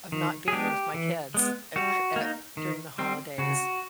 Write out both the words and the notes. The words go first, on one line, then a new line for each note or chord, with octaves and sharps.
of not being with my kids, uh, Chr uh during the holidays.
D#3
G#4
G#3 B3 D4 G4
E3
G#3 B3
G3 F#4
A#3 D#4
D#3
G3 C4
C#3 F#4